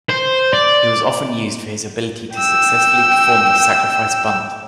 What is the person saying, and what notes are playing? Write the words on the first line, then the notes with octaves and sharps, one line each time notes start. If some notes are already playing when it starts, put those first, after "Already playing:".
He was often used for his ability to successfully perform the sacrifice bunt.
C5
D5
G5 E6